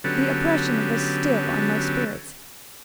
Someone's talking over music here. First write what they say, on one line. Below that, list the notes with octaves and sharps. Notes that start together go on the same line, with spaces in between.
The oppression was still on my spirits.
D3 F#3 B3 C#4 G4 A4